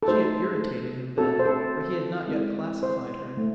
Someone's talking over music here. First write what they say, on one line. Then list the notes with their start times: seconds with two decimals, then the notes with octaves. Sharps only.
She had irritated him then, for he had not yet classified her.
0.03 A4
0.08 A3 D#4 F#4 C5
1.18 C4 F#4 A4
1.39 C5
1.45 A4
2.28 G#3 C4 E4
2.83 C5
3.37 A3